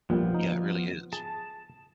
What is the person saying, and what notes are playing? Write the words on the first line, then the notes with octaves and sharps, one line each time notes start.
Yeah, it really is.
A#1 A#2 F3 G3 B3
D#4
G#4 A5